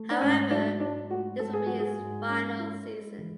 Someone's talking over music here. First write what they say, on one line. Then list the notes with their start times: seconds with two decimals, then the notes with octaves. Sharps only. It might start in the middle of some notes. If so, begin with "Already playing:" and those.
However this would be his final season.
Already playing: A3
0.11 D4
0.21 G#2 C#4
0.51 F#3 D4
0.80 G#2 D4
1.10 A3 F#4
1.40 G#2 A4
1.53 G#4
1.66 F#3 F#4
1.80 G#4
2.00 G#2
2.29 C#4
2.59 E4
2.88 G#3
3.18 E3